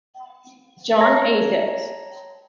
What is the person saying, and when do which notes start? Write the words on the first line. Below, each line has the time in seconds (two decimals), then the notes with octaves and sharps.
John A. Dix.
1.00 C#5 A5 A#5 G#6 A#6